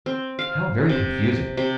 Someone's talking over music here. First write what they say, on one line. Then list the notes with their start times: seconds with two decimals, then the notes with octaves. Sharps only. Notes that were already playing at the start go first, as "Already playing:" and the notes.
How very confusing!
0.06 C4
0.39 F5
0.89 C3
1.57 C3